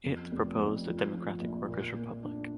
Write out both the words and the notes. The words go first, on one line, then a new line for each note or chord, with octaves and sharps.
It proposed a "democratic workers' republic".
F2
F1
F2
F3
F3
A#1
A#2
A#2
D4